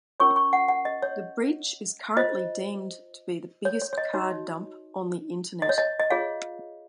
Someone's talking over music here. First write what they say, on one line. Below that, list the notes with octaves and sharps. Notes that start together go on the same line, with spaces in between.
The breach is currently deemed to be the biggest card dump on the internet.
C#4 F4 A#4 C#5 C#6
C#6
F#5
F#5
D#5
C#5
F4 C5 D#5
C#5
C#5
C#5
D#5
D#4 F#4 C#5
D#5
C#5
D#5
D#5
F4 G#4 C#5 F5